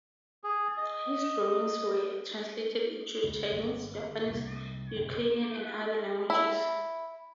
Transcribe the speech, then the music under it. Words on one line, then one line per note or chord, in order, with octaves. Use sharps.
His drawings were translated into Chinese, Japanese, Ukrainian, and other languages.
G#4
D#5
C#2
G1
C2 G#2
F#1 B1 A#2
E4